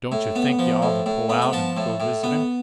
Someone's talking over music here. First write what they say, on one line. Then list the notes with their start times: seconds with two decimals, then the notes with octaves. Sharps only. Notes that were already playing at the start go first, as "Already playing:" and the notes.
"Don't yuh think yuh ought to pull out and go visiting?"
0.12 A2
0.36 B3
0.59 F3
0.82 A2
1.06 A2
1.29 B3
1.42 B5
1.53 F3 A5
1.77 A2
2.00 A2
2.23 B3